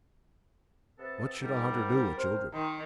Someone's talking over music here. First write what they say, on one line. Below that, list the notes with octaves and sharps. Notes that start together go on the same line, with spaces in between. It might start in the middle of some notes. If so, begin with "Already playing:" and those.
What should a hunter do with children?
C3 B3 A4
G#2 G3 A#4
C3 C5 F6
D#3 A#5 C6 D#6